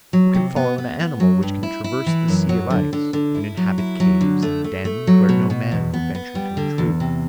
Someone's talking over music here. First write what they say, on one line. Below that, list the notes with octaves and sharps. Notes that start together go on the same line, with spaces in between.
Who can follow an animal which can traverse the sea of ice and inhabit caves and dens where no man would venture to intrude?
F#3
C3
B3
B3
B3
F#3
G2
E4
E4
E3
F#2
F#3
D3
D3
D3
E4
F#3
E4
F#3
D3
A3
A3
A3
F#3
B2
B2
E2
B3
B3
G3
D3
E2
C3